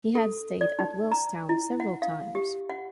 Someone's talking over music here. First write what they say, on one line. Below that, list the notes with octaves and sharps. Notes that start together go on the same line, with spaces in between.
He had stayed at Willstown several times.
A4
D5
D#4
A#5
E4
F#5
F5
G4
F#5